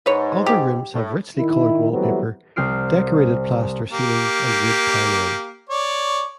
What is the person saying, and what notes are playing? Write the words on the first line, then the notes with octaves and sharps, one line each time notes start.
Other rooms have richly coloured wallpaper, decorated plaster ceilings and wood panelling.
G#2 B4 C#5
G4
A2
D#3 E4
E3 F#3 G3 A3 B3 C4
C2 C4 C5 F6 C7 D7
A#3 G4
C#5 D5